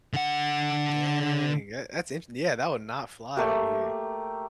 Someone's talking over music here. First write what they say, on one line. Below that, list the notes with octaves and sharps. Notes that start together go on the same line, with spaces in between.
Dang. That that's int yeah, that would not fly, over here.
D3 F#5
A3 A#3 G4